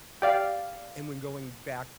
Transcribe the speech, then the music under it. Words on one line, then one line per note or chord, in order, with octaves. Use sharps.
And when going back
G4 D5 F5